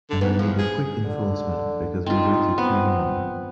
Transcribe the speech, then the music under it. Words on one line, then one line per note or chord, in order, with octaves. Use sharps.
And we need a quick enforcement, because we waited too long.
D3
G#2 B3
E2 F3
G#4
D3
C4 D#4 F4
B3 C4